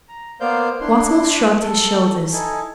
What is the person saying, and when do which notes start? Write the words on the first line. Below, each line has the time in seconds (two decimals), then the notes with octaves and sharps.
Wattles shrugged his shoulders.
0.08 A#5
0.40 A#3 B3 C5 D5 F5 G6
0.81 D4 E4 C6
1.61 A4
2.33 D#4 E4 A4 G#5